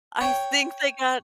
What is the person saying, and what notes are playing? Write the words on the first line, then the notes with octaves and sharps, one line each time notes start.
I think they got
C#5 G5